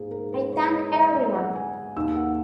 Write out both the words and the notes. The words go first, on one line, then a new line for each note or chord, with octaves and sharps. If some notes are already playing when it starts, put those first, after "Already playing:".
I thank everyone.
Already playing: G#2 A#3 G#4
A#4
B4
C#5
D#5
E5
E5
F#5
G#5
D#2 D#3 A#3 E6
F#5